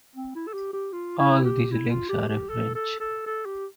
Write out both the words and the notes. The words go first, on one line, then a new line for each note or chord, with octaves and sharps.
All these links are in French.
C4
E4
A4
G4
G4
F4
E4
G4
E4
F4
G4
G4
A4
A4
A4
A4
G4